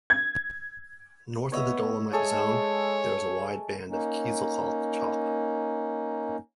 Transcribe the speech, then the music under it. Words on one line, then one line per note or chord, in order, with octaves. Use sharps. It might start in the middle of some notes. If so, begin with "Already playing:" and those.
North of the dolomite zone, there is a wide band of Kieselkalk chalk.
G#6
B3 C#5 D#5 E5
G#3 A3 G#4 A4 C#5
A#3 C#4 D#4